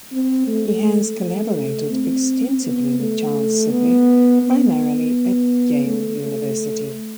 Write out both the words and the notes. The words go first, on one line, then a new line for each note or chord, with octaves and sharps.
He has collaborated extensively with Charles Sibley, primarily at Yale University.
C4
A3
A3
A3
C4
B3
A3
B3
B3
A3
A3